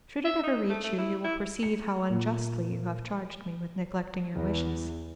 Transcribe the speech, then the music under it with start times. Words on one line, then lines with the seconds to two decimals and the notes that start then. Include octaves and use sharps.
Should it ever reach you, you will perceive how unjustly you have charged me with neglecting your wishes.
0.25 E5
0.43 D#4
0.70 A3
0.84 A3
0.98 E4
1.24 E4
1.63 C#7
2.09 A#2
4.33 E2